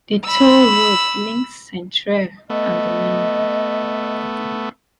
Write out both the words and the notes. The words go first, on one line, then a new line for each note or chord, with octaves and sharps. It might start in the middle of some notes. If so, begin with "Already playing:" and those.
A toll road links Centrair and the mainland.
B5 E6
A3 B3 D#5